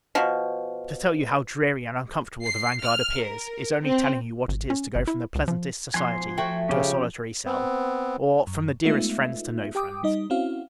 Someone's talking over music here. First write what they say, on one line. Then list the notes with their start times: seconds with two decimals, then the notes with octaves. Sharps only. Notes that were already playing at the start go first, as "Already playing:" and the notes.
To tell you, how dreary and uncomfortable the Vanguard appears, is only telling you, what it is to go from the pleasantest society to a solitary cell; or, from the dearest friends, to no friends.
0.15 B2 F3
2.44 C7
2.82 F6
3.21 A#4
3.84 C4
4.48 G#1
4.70 C#4
4.95 G1
5.07 E4
5.35 C#2
5.48 F3
5.94 G#2 B2 F3 G#5 C6
6.38 A3 F#4 G5
6.69 C#3 C#4 G4
7.46 B3 C4
8.47 F#2
8.85 G#3 A3 B3 D#4 F4 E5
9.75 G4 G5 D6 D#6
10.03 G3 D#4 D#5
10.30 C4 C#4 E4 F#4 F5